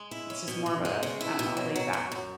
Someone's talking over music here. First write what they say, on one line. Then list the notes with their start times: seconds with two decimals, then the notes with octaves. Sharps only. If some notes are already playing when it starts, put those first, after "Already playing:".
it's just more of a I don't know, laid back,
Already playing: G#3
0.11 E4
0.30 C#4
0.48 B2
0.66 B2
0.85 G#3
1.03 C#3
1.21 E4
1.39 B2
1.57 F#3
1.76 F#3
1.93 F#2
2.12 F#2